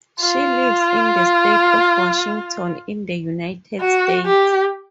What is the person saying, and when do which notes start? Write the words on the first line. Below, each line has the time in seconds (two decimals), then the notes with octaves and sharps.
She lives in the state of Washington in the United States.
0.21 F4
3.80 F#4
4.26 G4